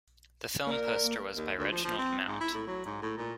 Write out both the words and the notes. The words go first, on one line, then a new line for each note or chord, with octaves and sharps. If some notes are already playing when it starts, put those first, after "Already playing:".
The film poster was by Reginald Mount.
A#3 A#4 D5
D#2
D2
F3
F3
C4
G#2
E4
A2
F#3
G#2
A2
A#2